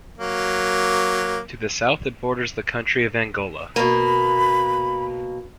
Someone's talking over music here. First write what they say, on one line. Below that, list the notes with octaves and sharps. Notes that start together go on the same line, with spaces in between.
To the south it borders the country of Angola.
F#3 A#3
B2 A#3 B5